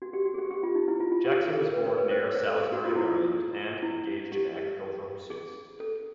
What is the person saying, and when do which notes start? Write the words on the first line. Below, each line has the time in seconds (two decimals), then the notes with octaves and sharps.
Jackson was born near Salisbury, Maryland, and engaged in agricultural pursuits.
0.02 F#4
0.13 G4
0.25 F#4
0.34 G#4
0.38 G4
0.51 G4
0.63 F4
0.75 D#4
0.88 E4
1.00 F4
1.12 F4
1.25 G4
1.37 G#4
1.49 A4
1.61 A#4
1.73 B4
1.85 A#4
1.98 B4
2.11 C5
2.23 C#5
2.35 C5
2.48 A4
2.60 G#4
2.72 F#4
2.85 F4
2.96 E4
3.08 F4
3.83 E4
4.32 G4
5.30 G#4
5.80 A4